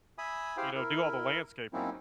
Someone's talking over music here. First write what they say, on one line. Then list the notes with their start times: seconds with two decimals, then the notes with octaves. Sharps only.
you know, do all the landscaping.
0.18 E5 G#5 B5 D#6
0.57 E4 G4 G#4 C5 F5 G5
0.75 E4 A#4
1.73 F#3 A#3 C4 C#4 D#4 E4